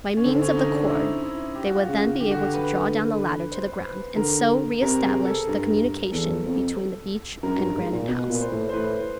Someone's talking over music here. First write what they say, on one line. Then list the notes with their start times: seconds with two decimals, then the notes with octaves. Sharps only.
By means of the cord they would then be able to draw down the ladder to the ground, and so re-establish the communication between the beach and Granite House.
0.17 C#4
0.25 D3 C4
0.42 C#4
0.58 D#4
0.74 D4
0.84 E4
0.90 D#4
1.23 E4
1.55 G4
1.65 F#4
1.75 F4
1.86 C#3 F#4
2.20 D3 G4
2.31 F#4
2.40 G4
2.54 B4
3.52 C5
3.72 C5
3.83 B4
4.16 D3 A#4
4.82 C3 A#4
5.03 G#4
5.25 A4
5.46 G2 A#4
6.12 E2 A4
6.45 F2
7.43 F#2 A#4
7.58 G2
7.76 G#2
7.92 A#2
8.08 B2 B4
8.30 A#2
8.36 B4
8.41 C5
8.51 A2
8.69 C5
8.73 A2 B4